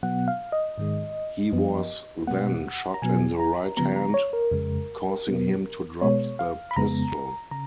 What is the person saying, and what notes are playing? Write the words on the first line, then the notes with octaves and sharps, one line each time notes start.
He was then shot in the right hand, causing him to drop the pistol.
B2 F#3 B3 F#5
F5
D#5
G#2 D#3 G#3
F#2 F3 B3
B2 G#3 B3 F#5
A#5
B2 F#3 B3 G#5
A#5
C#3 F3 B3 A#5
A#5
C#5
A#4
F2 C#3 G#3
B2 F#3 B3
B2 G#3 B3 C#5
F5
B5
F2 C#3 G#3 B3 A#5
C#3 A#5